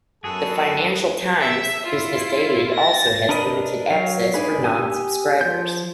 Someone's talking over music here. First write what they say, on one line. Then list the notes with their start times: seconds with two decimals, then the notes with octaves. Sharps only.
"The Financial Times" business daily also has limited access for non-subscribers.
0.24 F#2 B3 F#4 G#4 A4
1.40 E5
1.86 E4 F4
2.75 A6 A#6
3.29 D4 A#4 B4 D#5
3.90 F#3 F5
4.34 D4 D#4 G#4 B4
4.63 G4 G#5 D#6 E6
5.41 F3 G6